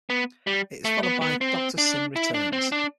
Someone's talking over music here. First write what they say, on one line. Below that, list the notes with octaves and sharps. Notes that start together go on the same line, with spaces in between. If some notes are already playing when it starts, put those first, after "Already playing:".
It is followed by "Doctor Syn Returns".
B3
G3
A3
B3
B3
C4
D4
E4
D4
C4
D4